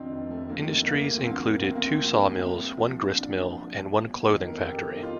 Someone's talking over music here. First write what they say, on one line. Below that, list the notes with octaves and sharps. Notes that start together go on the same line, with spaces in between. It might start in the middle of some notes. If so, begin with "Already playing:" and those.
Industries included two sawmills, one gristmill, and one clothing factory.
Already playing: F1 F2 D#3 C4 D4 D#4 F4
F1
A3
F2 D#3 A#3
A3
D2 A#3
C4
D3 F3 A#3
D2 C4
A#3
C4
D3 F3
C2
A#2 F3
C2 D4
A#2 F3
G1
F2 D#3
A#4
A4
G1 G4
D#4
F4